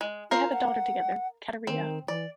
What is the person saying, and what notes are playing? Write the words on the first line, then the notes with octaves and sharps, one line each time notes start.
They have a daughter together, Katiria.
G#3
F4 A#4 C5 F5
F#5
D#3 C4
E3 D5